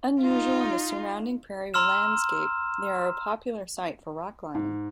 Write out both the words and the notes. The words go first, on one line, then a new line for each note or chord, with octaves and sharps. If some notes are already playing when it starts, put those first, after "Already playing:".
Unusual in the surrounding prairie landscape, they are a popular site for rock climbing.
D#4 F4
A#5 C6 E6 F6 E7
G#2